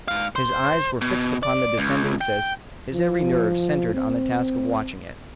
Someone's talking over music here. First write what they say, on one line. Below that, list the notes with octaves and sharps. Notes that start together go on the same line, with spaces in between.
His eyes were fixed upon the descending fist, his every nerve centered on the task of watching it.
G#2 F5
C5
B2
D5
C#2
G5
F3
C4